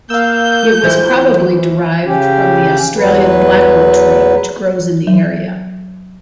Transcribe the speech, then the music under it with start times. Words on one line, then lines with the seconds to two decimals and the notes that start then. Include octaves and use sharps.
It was probably derived from the Australian Blackwood tree which grows in the area.
0.10 A#3 F5 E6 G6
0.83 D#2 E3 F3 E4 C5
2.05 C#3 C#4 G4
2.97 E2 F#3 B4
5.07 F#3